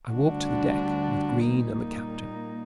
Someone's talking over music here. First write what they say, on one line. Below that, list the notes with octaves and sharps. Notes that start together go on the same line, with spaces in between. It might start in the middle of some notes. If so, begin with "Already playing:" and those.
I walked the deck with Green and the captain.
D2 D3 G3 D4 F#4
A#2 G3 A#3 D#4